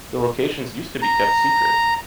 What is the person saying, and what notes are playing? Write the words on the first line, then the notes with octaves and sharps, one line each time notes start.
The locations used to be kept secret.
A#5